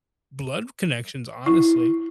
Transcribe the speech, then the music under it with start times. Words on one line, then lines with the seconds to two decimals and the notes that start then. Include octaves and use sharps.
blood connections, honestly.
1.46 E4